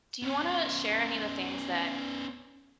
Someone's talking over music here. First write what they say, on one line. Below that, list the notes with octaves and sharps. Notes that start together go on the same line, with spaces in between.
Do you wanna share any of the things that
B3 C#4